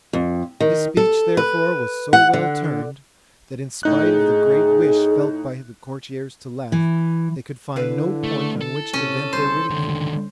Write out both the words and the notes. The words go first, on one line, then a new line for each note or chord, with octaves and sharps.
His speech, therefore, was so well turned, that in spite of the great wish felt by the courtiers to laugh, they could find no point on which to vent their ridicule.
F2
D#3
A4
B4
F#5
D3
A2 D#4 F#6
G#4
E3
D3 E4 B4 F5
A3
A4
C3 C#4
C2 C5
C#2 D3 D#3